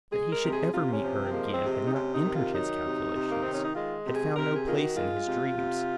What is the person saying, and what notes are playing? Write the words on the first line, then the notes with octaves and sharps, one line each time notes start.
That he should ever meet her again had not entered his calculations, had found no place in his dreams.
G#3 G#4
A#4
C3
G#4
C3 F4
C#4
F3
C4
G#3 A#3
C4
C3
C4
D#4
C3 C#4
D#4
D#3
F4
F#3 D#4
C3
C3
A#3
D#3 C4
C#4
D#4
G#3 F4
C3
G#4
C3 A#4
G#4
D#3 F4
F#4
G#3 F4
C3
C3